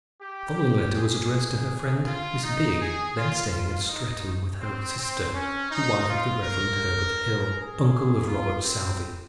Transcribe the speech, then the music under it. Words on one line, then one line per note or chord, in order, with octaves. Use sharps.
The following letter was addressed to her friend Miss Bigg, then staying at Streatham with her sister, the wife of the Reverend Herbert Hill, uncle of Robert Southey.
G4
G#4
F4
D#4
G#4
F4
F4
D#4
C4
C4
C#4
D#4
F4
A#4
G#4
F4
C4